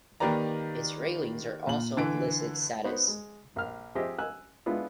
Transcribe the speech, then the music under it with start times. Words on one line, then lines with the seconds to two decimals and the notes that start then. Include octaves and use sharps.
Its railings are also of listed status.
0.20 D#3 A#3 G4 B4 D5 A#5
1.67 A#2 F#7
1.97 D3 E3 D7
2.84 B3 D#4 F#4 C5 C#5
3.08 G#3
3.56 A#1 F6
3.95 F3 C4 G4 G#4 D#5 E5
4.19 G#5 E6 F#6
4.66 G#3 B3 D4 E4 F4